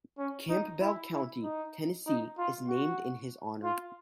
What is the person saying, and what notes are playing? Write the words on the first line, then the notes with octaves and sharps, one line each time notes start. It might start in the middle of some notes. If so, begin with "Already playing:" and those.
Campbell County, Tennessee, is named in his honor.
C#4
D#4
E4
E4
D#4
D#4
F4
F#4
F4